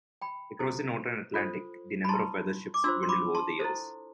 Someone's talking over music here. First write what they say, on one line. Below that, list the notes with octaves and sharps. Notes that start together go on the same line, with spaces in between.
Across the northern Atlantic, the number of weather ships dwindled over the years.
G5 B5
E4 A4 C5
F4 A4 C5
B5
E4 B4 A5 C6
D6
D4 F4 C5 C6 E6
C6
B5 D6
A5 C6
E4 A4 C5